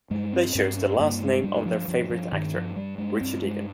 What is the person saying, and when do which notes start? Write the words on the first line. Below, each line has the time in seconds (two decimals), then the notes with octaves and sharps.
They chose the last name of their favorite actor, Richard Egan.
0.10 G2 G#3
0.33 C4
0.55 G2 C4
0.77 C#4
0.99 G2 A#3
1.22 G#3
1.43 G2 G3
1.56 G3
1.66 F3
1.88 G2 F3
2.10 F3
2.32 G2 D#3
2.54 F3
2.76 G2 G3
2.98 G#3
3.21 G2 C4
3.43 G#3